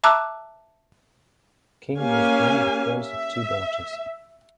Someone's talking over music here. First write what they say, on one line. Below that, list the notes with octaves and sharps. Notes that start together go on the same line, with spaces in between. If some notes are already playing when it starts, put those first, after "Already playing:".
King was born the first of two daughters.
E5 A5 A#5 D6 E6 F#6
A#3 C#4 G4 F5 G#5
E5